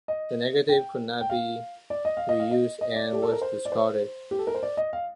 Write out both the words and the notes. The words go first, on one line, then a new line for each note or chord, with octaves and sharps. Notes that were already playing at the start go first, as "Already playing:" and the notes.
The negative could not be re-used and was discarded.
D#5
G5
G5
F5
D5
D#5
F5
D#5
F5
D#5
D#5
D5
G4
A4
A#4
C5
D5
C5
G4
A4
A#4
C5
D5
D#5
F5